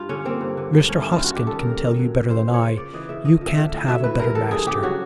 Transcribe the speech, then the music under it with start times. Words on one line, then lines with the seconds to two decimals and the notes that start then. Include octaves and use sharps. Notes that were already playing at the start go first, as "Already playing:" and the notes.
'Mr. Hoskin can tell you better than I. You can't have a better master.'
Already playing: G2 F4
0.09 D3 C#4
0.25 A#3 C4
0.41 G2
0.57 D3
0.73 G2
0.89 G2 C#4
1.00 D#3 E4
1.12 F4
1.20 A3 F#4
1.36 G2 G4
1.47 D#3 A4
1.59 A#4
1.67 A#3
1.83 A#2
1.99 F#3
2.14 A#2
2.31 C#3 C5
2.46 F3
2.54 C#5
2.61 C#3
2.77 C#3 D5
2.94 E3 D#5
3.09 C#3 E5
3.25 D3 D#5
3.41 F3
3.48 E5
3.57 D3
3.73 A2
3.88 F#3 E5
4.04 A2 B4
4.19 G2 A#4
4.35 E3 A4
4.51 G2 G#4
4.67 C#3 G4
4.83 F#3 F#4